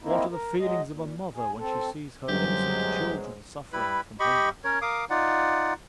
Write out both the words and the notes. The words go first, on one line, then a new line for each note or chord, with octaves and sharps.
What are the feelings of a mother when she sees her innocent children suffering from hunger!
A#3 C4 D#4 E4
A#4
F#3 G#3 D#5
A#2
G#4
C4 A4
G1 F#2 F#3 G#3 G4 C5
G3 E4 B4 B5
G4 D#5 B5 C#6
C#4 A#4 C#5
A#4 F5 D6 D#6
D#4 F4 D5 F#5